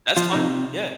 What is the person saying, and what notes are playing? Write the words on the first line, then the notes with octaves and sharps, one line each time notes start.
That's fine. Yeah.
F3 F4
C3 D#4